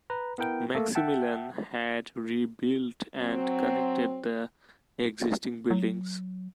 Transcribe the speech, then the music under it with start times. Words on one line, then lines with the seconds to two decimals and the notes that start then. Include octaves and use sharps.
Maximilian had rebuilt and connected the existing buildings.
0.10 B4 A#5
0.38 B3 E4 A#4 G5
0.75 A3 A#3 A4
0.95 E5 F#5 G5 A5
3.19 F#3 C4
5.71 F#3